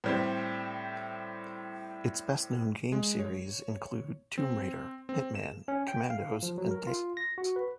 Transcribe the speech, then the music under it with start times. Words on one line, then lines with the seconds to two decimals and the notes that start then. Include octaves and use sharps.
Its best-known game series include "Tomb Raider", "Hitman", "Commandos", and "Deus Ex".
0.04 A2 G3 C4
2.92 G#3
3.19 C#5
4.38 C4
5.09 C4
5.35 E7
5.68 C#4
5.88 G5
6.10 F5
6.43 F3
6.58 F#3
6.71 A#4
6.87 F4
7.17 A#6
7.38 F#4
7.56 B4